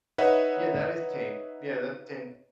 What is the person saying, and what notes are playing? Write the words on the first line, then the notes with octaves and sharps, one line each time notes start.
Yeah, that is tame. Yeah, that's tame.
D#4 B4 C#5 D#5 E5 F#5